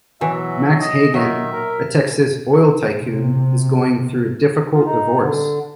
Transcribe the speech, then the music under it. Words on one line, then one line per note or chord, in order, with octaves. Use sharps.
Max Hagan, a Texas oil tycoon, is going through a difficult divorce.
B2 E3 F#3 E5
D#5
D#3 F#3 E5
A#4
C3
F4
D#4
D3